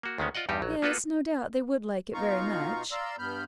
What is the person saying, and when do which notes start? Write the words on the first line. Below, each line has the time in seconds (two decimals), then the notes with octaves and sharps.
"Yes; no doubt they would like it very much."
0.03 A#3 F#4
0.18 D2 D#3 G#3 B3 C#4
0.35 F4 D5 D#5 F#5
0.49 E2 G2 G3 D#4 G4
0.62 A#1 F#3
0.82 A#3 B3 F4 F#4 A4 B4
2.14 B2 D#4 F4 F5 A#5 C#6
2.92 D5 F5 A#5 C6 E6
3.19 G2 B3 B5 F6 G6